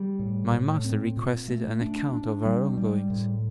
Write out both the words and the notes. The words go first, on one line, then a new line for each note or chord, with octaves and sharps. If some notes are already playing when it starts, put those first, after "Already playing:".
My master requested an account of our ongoings.
Already playing: G3
A2
A2
C4
A#2
A3
D4
D4
G3
G3
A2